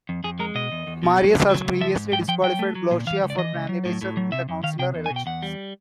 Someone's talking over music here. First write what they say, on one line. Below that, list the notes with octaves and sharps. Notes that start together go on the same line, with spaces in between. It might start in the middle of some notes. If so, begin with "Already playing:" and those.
Marius had previously disqualified Glaucia for candidature in the consular elections.
F2
F2 G#4
G#3 A#4
B2 D#5
E2
E2
B2
F#3
C#2
F#3
C#2
F3 E5
G#2
G#2 G5
F3 G5
F#3 G5
A3
F#3
A#2
E3 F5
C#2
D5
E3 D#5
C#2
F#3
A2
A2
F#3
C3 E5
F2
D#3 F5
C3 G5
E2
G#5
B2
G5
E2 F#5
G3